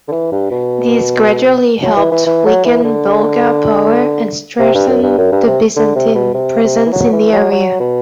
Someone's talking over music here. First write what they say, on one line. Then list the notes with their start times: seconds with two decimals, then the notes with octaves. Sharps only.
These gradually helped weaken Bulgar power and strengthen the Byzantine presence in the area.
0.08 D3
0.12 E3
0.32 G2
0.51 B2
1.83 F#3
1.96 E3
2.12 E3
2.26 E3
2.46 F#3
2.65 E3
2.84 D3
4.59 C3
4.75 G2
4.88 F#2
5.03 G2
5.18 F#2
5.32 G2
5.47 C3
5.76 D3
5.96 C3
6.15 B2
6.34 C3
6.64 C3
6.86 E3
6.92 F#3
7.13 E3
7.32 F#3
7.51 F#3
7.80 B2